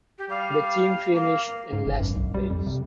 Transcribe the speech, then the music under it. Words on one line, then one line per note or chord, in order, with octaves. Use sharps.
The team finished in last place.
G4
G3 F5
A#3 F5
G#2
G1
F#2
B1
G3
F2
C3